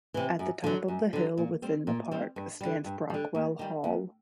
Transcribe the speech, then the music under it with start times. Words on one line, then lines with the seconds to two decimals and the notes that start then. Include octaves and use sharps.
At the top of the hill within the park stands Brockwell Hall.
0.14 C3 E3
0.39 F#2
0.64 D3 F#3
0.88 F#2
1.13 D3 F#3
1.38 A#2
1.62 G3 C4
1.87 A#2
2.11 G3 C4
2.36 G2
2.61 D3 G3
2.85 G2
3.10 D3 G3
3.35 D#2
3.59 D#3 G3
3.84 D#2